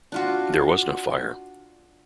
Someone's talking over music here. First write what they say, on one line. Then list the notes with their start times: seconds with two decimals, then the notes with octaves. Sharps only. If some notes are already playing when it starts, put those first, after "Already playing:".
There was no fire.
0.12 D4 F4 F#4